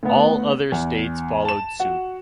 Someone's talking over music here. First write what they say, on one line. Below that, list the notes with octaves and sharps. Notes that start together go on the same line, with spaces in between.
All other states followed suit.
D2 B3
E2
A5 E7
F#4 F#5